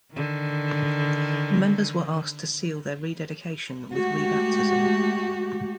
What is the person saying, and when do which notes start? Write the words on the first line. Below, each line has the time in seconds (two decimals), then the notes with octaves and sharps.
Members were asked to seal their rededication with rebaptism.
0.12 D3 D#3
3.93 G#3 A3 F#4 G4